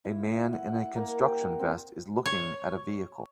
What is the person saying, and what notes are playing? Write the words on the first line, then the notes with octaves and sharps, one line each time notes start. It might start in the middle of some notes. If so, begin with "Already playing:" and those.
A man in a construction vest is looking at a vehicle.
E4
F#5
F#5
A#3
G4
F#5
C4
C#5